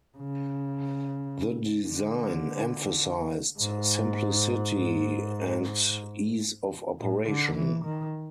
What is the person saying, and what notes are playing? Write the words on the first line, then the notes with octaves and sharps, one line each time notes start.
The design emphasized simplicity and ease of operation.
C#3
D3
G#2
A2
D3
E3
D#3